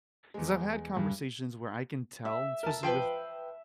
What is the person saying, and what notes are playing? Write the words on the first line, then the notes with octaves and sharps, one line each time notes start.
'Cause I've had conversations where I can tell, especially with
E2 G#3
G2
E5
A#4 A5
F3 B4 G5 C6